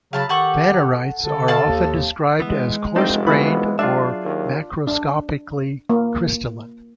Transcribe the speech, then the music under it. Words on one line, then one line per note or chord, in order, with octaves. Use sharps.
Phanerites are often described as "coarse grained" or "macroscopically crystalline".
C#3 F#3 F5 A5 B5
D#3 G4 A4 F#5 C#6
D3 A4
D5 F5 A5
D#2
E3 G#3 B3
F1 C4 D4 D#4 G4 D#5
E3 B3 F#4 A4 B5
F#3 D4 F4 G#4 E5
D#2
D4
A#3